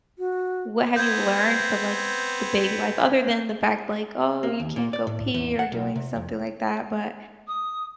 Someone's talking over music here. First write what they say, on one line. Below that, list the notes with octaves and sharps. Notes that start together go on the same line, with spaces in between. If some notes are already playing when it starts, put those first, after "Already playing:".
what have you learned from, like, the baby life other than the fact like, oh, you can't go pee or doing something like that, but,
F#4
B3 C4 G6 G#6
A#3
D#2
A#2
D5
A2
E2
F#5
B1
C3
F2
D#6